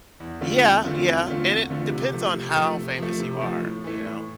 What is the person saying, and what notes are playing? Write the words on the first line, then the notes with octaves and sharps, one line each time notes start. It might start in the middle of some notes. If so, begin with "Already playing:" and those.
Yeah, yeah, and it depends on how famous you are, you know?
E2
D3 A3 C4 F4
E2
D3 A3 C4 F4
E2
D3 A3 C4 F4
E2
D3 A3 C4 F4
C3
F3 A3
C3
F3 A3
C3
F3 A3
C3
F3 A3
A2
E3 A3
A2